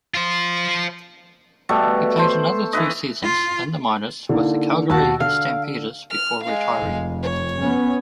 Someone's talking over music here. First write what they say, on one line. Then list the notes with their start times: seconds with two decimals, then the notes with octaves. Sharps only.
He played another three seasons in the minors with the Calgary Stampeders before retiring.
0.14 F4 C5
1.69 B2 G3 A3 A4
2.17 A4 C5
2.73 E3 E4 B4 D#5
3.24 F4
4.29 D3 A#3 D#4 E4
4.90 D#2 B2 F#4 A5 E6
5.20 D3 F5
6.10 F6
6.42 G#3 F5
6.79 F1
7.23 C#5
7.59 B3 C#4